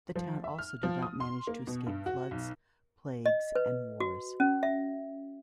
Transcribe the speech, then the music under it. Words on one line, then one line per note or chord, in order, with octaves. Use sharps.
The town also did not manage to escape floods, plagues and wars.
F3
E5
F6
F3
D#6
C6
A#3
B2
G2
F#4
B1
D#5
B4
F#4
C#4
E5